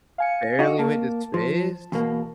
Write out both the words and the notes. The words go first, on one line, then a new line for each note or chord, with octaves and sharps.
barely went to space?
F5 G#5 C#7
D#4 F#4
A#3 A5
F3
E2 B2 A#3